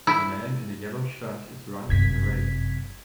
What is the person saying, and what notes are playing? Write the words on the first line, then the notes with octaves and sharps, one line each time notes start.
A man in a yellow shirt is running in a race.
E4
G1 F#2 C3 G#6 B6